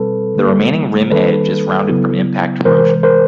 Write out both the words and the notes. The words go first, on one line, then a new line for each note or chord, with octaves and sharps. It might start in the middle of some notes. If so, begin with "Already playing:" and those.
The remaining rim edge is rounded from impact erosion.
Already playing: B2 G3 C4 A4 B4
D3 G3 A#3
D#3 G3 A#3 D4 A4 B4
C#3 F#3 B3 E4
C3 E3 G#3 A#4 C5
A#4 C5